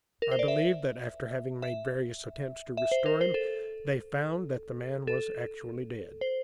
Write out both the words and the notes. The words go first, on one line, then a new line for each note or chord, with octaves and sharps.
I believe that after having made various attempts to restore him, they found that the man was actually dead.
A#4
C5
D5
E5
E5
E5
C5
A#4
C5
A4
A4
C5